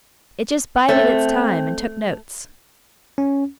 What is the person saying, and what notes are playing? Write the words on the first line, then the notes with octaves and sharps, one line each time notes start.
It just bided its time and took notes.
A3 C4 C5
C#4